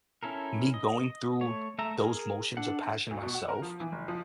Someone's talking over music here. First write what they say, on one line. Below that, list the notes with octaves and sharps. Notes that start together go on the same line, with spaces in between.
me going through those motions of passion myself
C#4 E4 A4 A#4
D#5
A3 C#5
A3 E5 A#5
G#4 A#4
D4 A4 F#5
D2
B2
F#5
A#4
F3
E3
F#1
F3